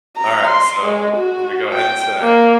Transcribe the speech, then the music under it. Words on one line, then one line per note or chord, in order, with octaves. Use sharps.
Alright, so, let me go ahead and say
A#5
C6
G#3
F#4
G5
A#3